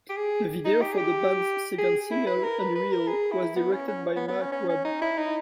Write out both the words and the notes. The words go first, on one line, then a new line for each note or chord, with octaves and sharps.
The video for the band's second single, "Unreal", was directed by Marc Webb.
G4
G#4
D#4
G4
G#4
G4
G#4
E4
B4
A#4
B4
B4
A#4
G#4
E4
B3
C#4
C#4
B3
B3
C#4
C#4
C#4
D#4
E4
D#4